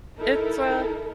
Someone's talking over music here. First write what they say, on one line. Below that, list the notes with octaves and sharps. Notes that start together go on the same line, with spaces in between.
it's, uh
D#4 E4 A4 A#4